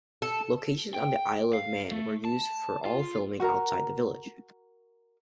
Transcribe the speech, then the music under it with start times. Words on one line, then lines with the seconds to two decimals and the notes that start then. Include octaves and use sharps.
Locations on the Isle of Man were used for all filming outside the village.
0.22 A4
0.94 G5
1.53 F5
1.92 A3
2.25 A5
2.85 F4
3.40 F#4 A#4 A#5